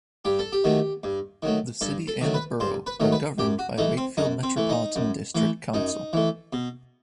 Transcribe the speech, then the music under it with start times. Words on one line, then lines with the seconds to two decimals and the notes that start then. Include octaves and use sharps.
The City and borough are governed by Wakefield Metropolitan District Council.
0.25 G2 G4
0.39 A4
0.52 G4
0.64 D#3 F#3 A3
1.04 G2
1.43 D#3 F#3 A3
1.81 G2 A4
2.08 A4
2.21 D#3 F#3 A3
2.34 B4
2.60 G2 C5
2.87 B4
3.00 D#3 F#3 A3
3.12 B4
3.38 F#2 G4
3.59 F#4
3.78 E3 A3 D#4
3.97 C4
4.17 F#2 D#4
4.43 C4
4.57 E3 A3
4.69 D#4
4.96 F#2
5.35 E3 A3
5.74 F#2 D#4
6.13 E3 A3
6.53 B2